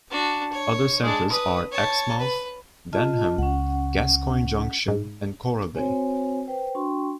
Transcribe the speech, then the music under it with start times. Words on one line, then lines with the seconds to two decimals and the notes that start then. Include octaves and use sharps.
Other centres are Exmouth, Denham, Gascoyne Junction and Coral Bay.
0.11 D4 F#4
0.52 C#5
1.02 G#3 D4
1.31 B4 D#6
1.72 C#5 A5
2.19 B4
2.93 F4 D#5 A5
3.38 C#2 C#4 F#5
4.88 G#2
5.76 C4 F#4 C5 C#5 G#5
6.48 B4 C5 G5
6.75 D4 F#4 G5 C6 C#6